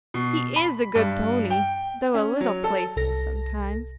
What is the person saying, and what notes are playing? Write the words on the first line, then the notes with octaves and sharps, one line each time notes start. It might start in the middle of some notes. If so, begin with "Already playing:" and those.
He is a good pony, though a little playful sometimes.
B2
B5
G2
G5
C#4
F#3
A4
C2 A4 A#6